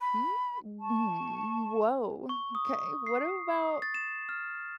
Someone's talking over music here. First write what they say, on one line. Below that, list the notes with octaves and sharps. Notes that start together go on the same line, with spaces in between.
Mm, mm, woah, 'kay, what about
B5
A5 C#6
C#6
D#6
C7
A6
E7
F6